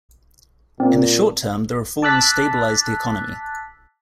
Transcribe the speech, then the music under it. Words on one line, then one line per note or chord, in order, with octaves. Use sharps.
In the short term, the reforms stabilised the economy.
A#2 C4
A5 D6 E6 F#6 A6 B6